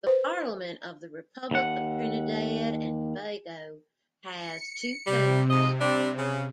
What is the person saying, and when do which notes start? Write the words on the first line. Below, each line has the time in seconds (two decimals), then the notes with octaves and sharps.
The Parliament of the Republic of Trinidad and Tobago has two chambers.
0.07 B4 C5
1.51 D#2 F#5
4.36 C#7
5.07 C3 G3
5.50 G#2 F3 D#5
5.80 G3 C4 D4
6.18 C#3